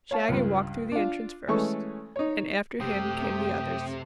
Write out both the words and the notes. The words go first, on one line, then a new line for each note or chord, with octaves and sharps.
Shaggy walked through the entrance first, and after him came the others.
C#5 F5 A5
C#2 G2
D4 F4
E3 G#3 A3 C#4 A4 C#6
D#4 C#5
F#2 C3 A3 G4 G5 D#6